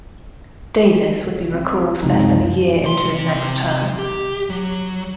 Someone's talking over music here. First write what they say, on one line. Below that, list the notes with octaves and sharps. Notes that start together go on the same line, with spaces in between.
Davis would be recalled less than a year into his next term.
C2
C4
C#2 F#2 C3 G#3 C4 D#4
C3 C6
G4
F#3